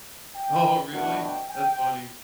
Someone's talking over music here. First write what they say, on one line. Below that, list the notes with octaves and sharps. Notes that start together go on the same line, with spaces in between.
Oh, really? That's funny.
G5
B2 F#3 A3 D4 F#5
G5
G5